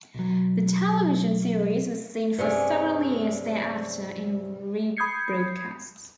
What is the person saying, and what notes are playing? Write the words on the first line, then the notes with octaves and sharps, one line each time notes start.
The television series was seen for several years thereafter in rebroadcasts.
B1 F#3
G2 C3 C#4 G#4
B5 D#6 G6 G#6 C7 C#7